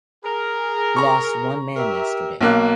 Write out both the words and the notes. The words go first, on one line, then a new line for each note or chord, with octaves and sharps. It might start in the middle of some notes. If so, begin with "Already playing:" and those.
Lost one man yesterday.
G#4 A#4
A#5 C#6
G4 A#4 E5
B1 A#3 F#6